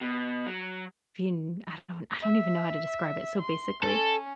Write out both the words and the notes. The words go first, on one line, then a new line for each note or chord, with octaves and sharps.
being I don't I don't even know how to describe it. So, basically
B2
F#3
E5
C6
C#4 A4